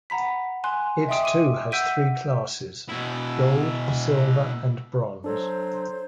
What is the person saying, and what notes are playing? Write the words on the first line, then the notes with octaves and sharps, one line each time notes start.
It too has three classes, Gold, Silver and Bronze.
F#5 A#5 B5 B6
G#5 C6 F#6
D#5 E5 G5 C6 D#6 D7
D6 D#7
F#5 E6 G6 B6 D7 D#7
B2 E4
F#3 D4 A4 C5